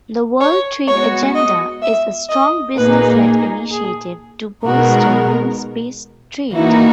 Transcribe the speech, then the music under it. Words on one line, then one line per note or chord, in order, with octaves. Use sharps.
The World Trade Agenda is a strong business-led initiative to bolster rules-based trade.
C#5
G#3 B3 F#4 C#5
D#5
E5
D#5
A#2 A#3 D#4 G#4 B4
G#4
B2 G#3 B3 D#4 F#4 A#4
E3 A#3 D#4 E4 F#4